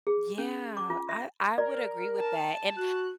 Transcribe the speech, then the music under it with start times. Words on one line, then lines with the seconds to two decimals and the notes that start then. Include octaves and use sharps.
Yeah. I I would agree with that, and
0.07 G#4
0.38 C#4
0.77 D6
0.90 F4
1.09 E5
1.58 A#4 D5
2.19 A5
2.77 F#4 F#6